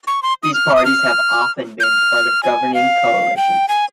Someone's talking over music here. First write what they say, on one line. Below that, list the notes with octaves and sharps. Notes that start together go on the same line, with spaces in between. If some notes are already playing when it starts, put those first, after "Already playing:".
These parties have often been part of governing coalitions.
C#6
C6
D#6
F6
D#6
F6
G6
F6
G#5
F5
G5
G#5